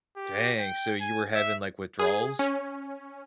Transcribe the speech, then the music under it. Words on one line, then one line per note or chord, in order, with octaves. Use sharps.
Dang. So, you were having, like, withdrawals?
G4
G5
G#5
E5
G#4
C#4